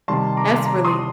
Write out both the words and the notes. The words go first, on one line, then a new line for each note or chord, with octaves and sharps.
That's really
C3 D#3 G3 A5 C6
A#5 D6
A#5 D6
C6 D#6